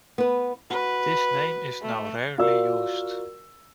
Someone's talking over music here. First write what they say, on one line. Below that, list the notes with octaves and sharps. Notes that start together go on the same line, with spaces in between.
This name is now rarely used.
B3 B4
F#4 B4
A3
F4 F#4 A#4 D5 E6